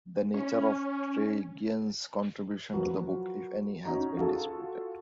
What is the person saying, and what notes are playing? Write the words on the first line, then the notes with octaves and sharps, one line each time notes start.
The nature of Tregian's contribution to the book, if any, has been disputed.
C#4
F3 F#3 F#4 A#4 B4
C#4 D#4 F#4 A#5
F4 F#4 G#4 A4